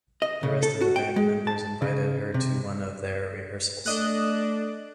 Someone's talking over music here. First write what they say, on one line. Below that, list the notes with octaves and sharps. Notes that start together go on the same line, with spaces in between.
The rest of the band members invited her to one of their rehearsals.
D#5
C#3
A4
F#4
G5
G#3
A5
C#3
C3
A3 D4 D#5 F#6